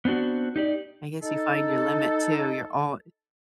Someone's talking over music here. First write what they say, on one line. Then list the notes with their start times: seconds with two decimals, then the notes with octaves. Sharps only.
I guess you find your limit, too, you're all
0.05 B3 C4 D4 F#4
0.56 D#4 G4 D5
1.23 D#4 A4